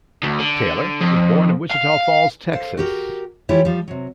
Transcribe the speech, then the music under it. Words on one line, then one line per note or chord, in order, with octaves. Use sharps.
Taylor was born in Wichita Falls, Texas.
D2
D3
F2
F5
A4 C5 F5
F#4 G4 A#4
E3 G3 E4 F4 G4 C#5
F3 G3
C3 F#3